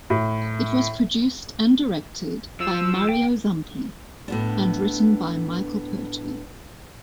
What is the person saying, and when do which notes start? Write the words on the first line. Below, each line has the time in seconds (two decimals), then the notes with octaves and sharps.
It was produced and directed by Mario Zampi and written by Michael Pertwee.
0.10 A2
2.60 F3 E6
3.09 G5
4.28 A2 B3 D4